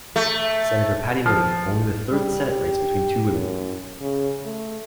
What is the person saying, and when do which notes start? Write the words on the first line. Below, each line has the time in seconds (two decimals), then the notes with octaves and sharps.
Senator Patty Murray, only the third Senate race between two women.
0.16 A3
1.26 F3
2.11 G3
2.49 G4
3.32 F#2
4.01 C#3
4.45 A3